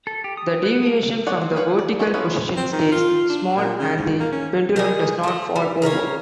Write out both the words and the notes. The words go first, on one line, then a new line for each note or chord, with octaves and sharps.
The deviation from the vertical position stays small, and the pendulum doesn't fall over.
A4
G4
D#6
B4
A3
G#3 C#5 D5 F#5
C4
F#3 B4 C#5 F5 F#5
D5
A3 A4 B4 D#5
F3 B3 C#4 D#4 E4
C4
D#3
F4
D4
A#2
C#3
G#2
A#3
C#4
D#3 G#3 G#4
A3 D#5
G3
C#3 A#4 B4 C#5